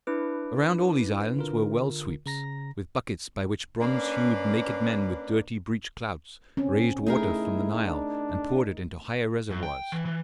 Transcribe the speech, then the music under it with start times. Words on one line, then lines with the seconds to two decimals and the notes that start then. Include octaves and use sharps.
Around all these islands were well-sweeps, with buckets by which bronze-hued naked men with dirty breech clouts raised water from the Nile and poured it into higher reservoirs.
0.07 D4 E4 B4 D6
1.37 D3 F4 A#4
2.26 C#3 A#5 A#6
3.80 A#3 C#4 D4 B4
6.57 C4 C#4
7.06 A3 D#4 E4 G#4 A#4
7.85 D4
9.51 F#2
9.63 G5
9.92 E3
10.05 E3